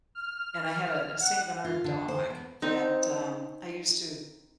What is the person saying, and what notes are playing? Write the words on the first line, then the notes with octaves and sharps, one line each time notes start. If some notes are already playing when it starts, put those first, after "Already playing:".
and I had a a Saint Bernard dog that, um, I used to
F6
F#5
F4
D3
C5
B3
C4 D#4